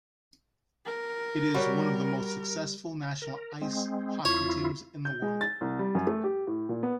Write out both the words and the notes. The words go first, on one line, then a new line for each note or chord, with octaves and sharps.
It is one of the most successful national ice hockey teams in the world.
A#4
G3 F#4 C#5
A#4
G#3 C4
F2 E4 F4 C#5
G6
G#3
A6
C2
G3
F#2
A3
G4
A2
A#2
B3